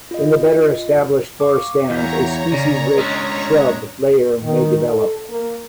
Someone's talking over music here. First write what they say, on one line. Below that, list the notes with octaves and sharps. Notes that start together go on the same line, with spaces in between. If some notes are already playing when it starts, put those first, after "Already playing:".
In the better established forest stands, a species-rich shrub layer may develop.
F4 D#5
F5 C#6 D6
E2 C#5 F5 A#5 G6 B6
C#3 D5 A#6 D7
G#3 C#4 D4 D#5 C#6 E6
D#3
A4
A#3